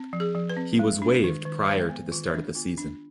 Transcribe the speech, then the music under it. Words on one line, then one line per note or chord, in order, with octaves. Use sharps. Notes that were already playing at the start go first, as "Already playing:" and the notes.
He was waived prior to the start of the season.
Already playing: C4
F3
G#4
F3
B4
C4
G#3
D4
D#3
D#3
G#3 C5
B3
D#3 F4
D4
B3 F4
D4